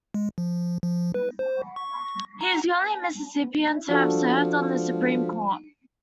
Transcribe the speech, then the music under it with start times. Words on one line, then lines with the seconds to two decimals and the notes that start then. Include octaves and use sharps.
He is the only Mississippian to have served on the Supreme Court.
0.14 G#3
0.38 F3
0.83 F3
1.14 B4
1.39 C5
1.76 C#6
2.41 A#5
3.89 F3 D4 F#4 A4